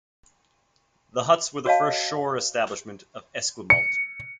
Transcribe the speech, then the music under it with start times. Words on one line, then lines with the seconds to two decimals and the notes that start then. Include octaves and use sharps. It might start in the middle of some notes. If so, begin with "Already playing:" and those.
The huts were the first shore establishment at Esquimalt.
1.66 F#4 C#5 D#5 F5 A5
3.70 C#7